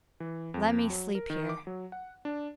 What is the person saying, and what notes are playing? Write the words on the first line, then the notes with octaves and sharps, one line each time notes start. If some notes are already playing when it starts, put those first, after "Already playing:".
"Let me sleep here."
E3
F2
F#3
A#4
D#3
D6
F#3
F#5
D4